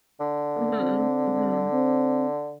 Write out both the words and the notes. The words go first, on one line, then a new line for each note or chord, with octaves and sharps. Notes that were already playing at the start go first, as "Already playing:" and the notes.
Mhm, mhm.
D3
C4
C4